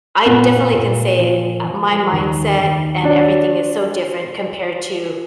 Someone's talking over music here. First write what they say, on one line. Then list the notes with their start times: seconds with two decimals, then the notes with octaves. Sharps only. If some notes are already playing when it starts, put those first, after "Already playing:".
I definitely can say, uh, my mindset and everything is so different compared to
0.26 A#2 B3
0.56 A#3
0.73 A#2
1.19 F3
1.65 F3
2.12 D#2
2.58 D#2
3.03 F#3 D4